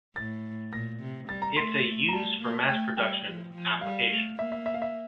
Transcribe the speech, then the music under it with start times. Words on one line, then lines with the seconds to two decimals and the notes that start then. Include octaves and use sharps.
It's a used for mass production application.
0.16 A2 A6
0.72 A#2 A#6
1.00 C3
1.28 G3 A6
1.42 A#5
1.56 A3 C6
2.09 A#5
2.13 G3 A5
2.41 A#3
2.69 A3 G5
2.97 G3 G5
3.26 F3
3.54 F3
3.81 G3 F5
4.10 A3
4.38 A#3 E5
4.52 E5
4.66 E5
4.74 F5
4.82 E5